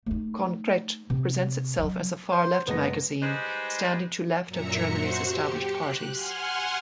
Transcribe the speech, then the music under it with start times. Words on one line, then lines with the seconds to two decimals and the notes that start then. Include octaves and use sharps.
"Konkret" presents itself as a far-left magazine, standing to left of Germany's established parties.
0.06 A3 D#4
1.10 C3
1.78 F3 F#3
2.32 C5
2.67 F#1 G#3 B3 A#6
3.22 G3 G#3 D#4 B4 C5 D#5
4.47 F#2 A#2 E5 A#5 C#7
4.87 F#4 C5 C6 C#6 C#7
5.26 G4
5.74 F#6
6.10 F#5 G#5 C6 F6